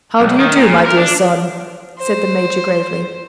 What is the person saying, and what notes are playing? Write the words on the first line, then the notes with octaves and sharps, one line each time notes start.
"How do you do, my dear son?" said the major gravely.
B1
D#3
A#2
A#4
D4
C5